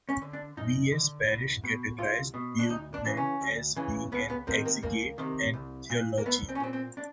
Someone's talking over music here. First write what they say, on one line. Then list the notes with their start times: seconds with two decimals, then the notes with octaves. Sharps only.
V. S. Parrish categorized Brueggemann as being an exegete and theologian.
0.09 C#4
0.22 D3
0.33 D4
0.57 F#2 D#4
0.92 D3
1.28 C2
1.64 B2
1.98 C2 F4
2.34 B2
2.59 D4
2.69 D2 D#4
2.94 D4
3.05 C#3 E3
3.17 C#4
3.41 D2
3.76 C#3 E3
4.12 C#2 B3
4.30 B3
4.47 C3 A#3
4.51 D#3
4.66 A#3
4.83 C#2 A#3
5.18 C3 D#3
5.54 C2
5.90 A#2
6.18 A#3
6.26 C2 B3
6.49 C4
6.55 C#4
6.60 A#2 C4
6.73 C4
6.97 D4